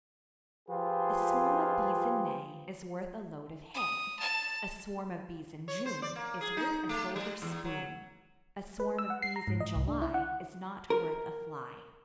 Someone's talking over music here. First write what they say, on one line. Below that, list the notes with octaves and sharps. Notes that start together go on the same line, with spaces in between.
A swarm of bees in May Is worth a load of hay; A swarm of bees in June Is worth a silver spoon; A swarm of bees in July Is not worth a fly.
F3 F4 G4 G#4 B4
D#6
A5
C#5
C5
D5
A#3
G#4
D#4
A3
G3
E2
F#3
B4
E6
F#5
C7
A#5
G#2
D#5
C2
D4
E4
F#5
A#4